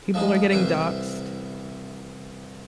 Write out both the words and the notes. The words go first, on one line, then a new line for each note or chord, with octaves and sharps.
People are getting doxxed.
F3 G#3 D#4
C2 E3 E4 C5